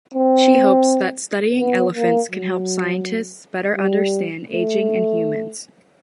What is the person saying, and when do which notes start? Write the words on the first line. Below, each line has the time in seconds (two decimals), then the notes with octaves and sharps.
She hopes that studying elephants can help scientists better understand ageing in humans.
0.14 C4
1.60 B3
1.95 A#3
2.31 F#3
3.76 G3
4.48 A3